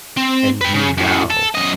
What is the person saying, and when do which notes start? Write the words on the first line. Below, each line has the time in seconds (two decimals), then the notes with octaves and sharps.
And me now.
0.17 C4
0.61 B4 G5
0.74 C#3
0.97 F#2 A2
1.30 A4
1.55 F#2 D#5